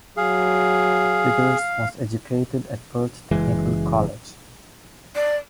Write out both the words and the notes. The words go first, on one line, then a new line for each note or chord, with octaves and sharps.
Withers was educated at Perth Technical College.
F#3 G#4 F5
F#1 E3 G#3
D5